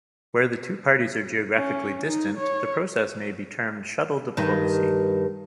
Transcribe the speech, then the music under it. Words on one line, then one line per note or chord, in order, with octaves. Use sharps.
Where the two parties are geographically distant, the process may be termed shuttle diplomacy.
C#4
D#4
C#5
G2 D#3